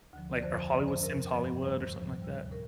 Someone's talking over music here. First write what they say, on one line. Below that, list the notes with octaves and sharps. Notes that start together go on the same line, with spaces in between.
Like a Hollywood Sims Hollywood or something like that?
D2 D3 F3
D5
F2 D3 F3 C5
G2 D3 F3 D5
C5
F2 C3 F3 A#4
G2 F3
D#2 D#3 G3 C5
A2 F3
D2 C3 G3
A2 A#4